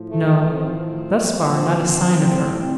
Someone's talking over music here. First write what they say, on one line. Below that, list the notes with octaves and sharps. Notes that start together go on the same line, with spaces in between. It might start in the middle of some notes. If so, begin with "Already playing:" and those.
No; thus far, not a sign of her.
Already playing: A2 F3
A3
A2 F3 C4
A#2 F3
A2 G3 C4